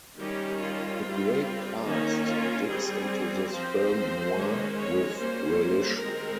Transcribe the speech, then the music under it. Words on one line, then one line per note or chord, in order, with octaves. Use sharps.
A great cast digs into this film noir with relish.
D#3 G3 C#4 G4
F4
G3 C4
D#3 A#3 C#4 D#4
F4
G3 C4 G#4
F3 C4 C5
D#3 G#3 C#4
C#5
G3 A#3 C#4 C5
D#3 G#3 C4 A#4